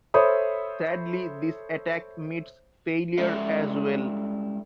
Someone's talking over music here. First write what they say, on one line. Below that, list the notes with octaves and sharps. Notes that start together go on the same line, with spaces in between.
Sadly, this attack meets failure as well.
A4 C5 C#5 E5 B5 D#6
G3 G#3 C#4 E4 A4 E5